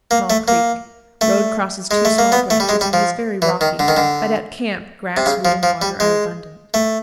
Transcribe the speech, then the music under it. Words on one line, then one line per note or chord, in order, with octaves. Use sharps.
Small Creek.--Road crosses two small branches, and is very rocky, but at camp grass, wood, and water are abundant.
A#3
A3
A#3
A3
G#3
A3
A#3
B3
A3
G3
G#3
G3
F3
E3
D#3
D3
D#3
D3
C3
C#3
F3
F3
G3
G#3
A3